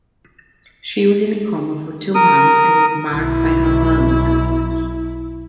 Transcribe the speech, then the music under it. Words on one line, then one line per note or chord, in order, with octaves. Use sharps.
She was in a coma for two months and was marked by her burns.
A#4 D#6
B1 E4